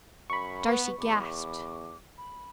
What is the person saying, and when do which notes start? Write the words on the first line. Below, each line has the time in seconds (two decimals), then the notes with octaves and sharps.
Darcy gasped.
0.30 F#2 B5 C#6
0.67 B3 B4
1.00 E2 D6
2.18 B5